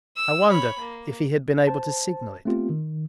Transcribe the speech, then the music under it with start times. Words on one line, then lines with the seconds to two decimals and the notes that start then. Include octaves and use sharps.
I wondered if he had been able to signal it.
0.17 E6
0.48 C#5 B5
0.79 A#3
1.67 C5 A5
2.45 A3 B3 C4 F4 G4
2.70 D#3